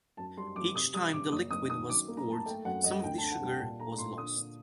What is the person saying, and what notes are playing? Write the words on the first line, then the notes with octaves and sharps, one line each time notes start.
Each time the liquid was poured, some of the sugar was lost.
F#2 A5
G3 C6
F#2 D6
C3 D#6
G3 D#6
C3 D6
F#1 D#6
F#1 D#6
D#3 D#6
F#2 D6
A#3
A#5
A#3 A5
A3 G5
F#2 F#5
F#2 D#5
D2 G5
A5
D3
F#5
G3 G5
A#2 A5
A3 A#5
A#2 C6
D3 D#6
D3